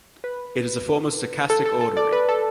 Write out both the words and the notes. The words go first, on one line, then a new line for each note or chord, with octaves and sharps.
It is a form of stochastic ordering.
B4
A4
A4
A4
D5
B4
A4